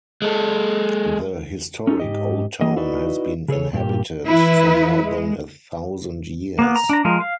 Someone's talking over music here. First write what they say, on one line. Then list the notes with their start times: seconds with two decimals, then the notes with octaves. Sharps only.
The historic old town has been inhabited for more than a thousand years.
0.22 G#3 A4
1.87 C#4 D#4 F4 A4
2.00 G#2 G4 D#5
2.61 E3 A#3 G#4 D#5
2.76 D#4 E4 F#4 B4 D5 D#5
3.48 C#3 G#4 A4 C#5
3.74 G2 A#2 A#3 G4
4.24 E3 E4 B4
5.03 G#3
6.59 A#3 B3
6.76 A#5
6.89 D4 A#5
7.05 F3 G#3 A#4
7.20 F5